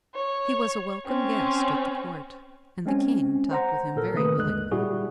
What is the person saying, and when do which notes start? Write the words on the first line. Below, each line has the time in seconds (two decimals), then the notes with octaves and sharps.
He was a welcome guest at the Court, and the King talked with him very willingly.
0.14 C#5
1.06 C4 C#4
2.86 G#3 C4 C#4 G#5
3.51 C5 F#5 A#5
3.95 A1 A#2 A4 A#4
4.14 D#3 A3 A#3 B4 D#6
4.36 G#1 D#2 D3 G#3 F#6
4.72 A#2 G3 E4 F#4 G#4